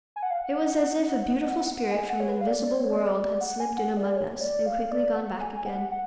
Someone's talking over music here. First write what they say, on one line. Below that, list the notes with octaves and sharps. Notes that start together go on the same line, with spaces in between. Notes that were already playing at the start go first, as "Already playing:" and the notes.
It was as if a beautiful spirit from an invisible world had slipped in among us, and quickly gone back again.
G#5
F#5
F5
F#5
G#5
F#5
C#5
B4
F5
D5
D5
C#5
D5
F#5
G#5
F#5
D5
C#5
D5
F5
D5
F#5
G#5
G#5
F#5
F#5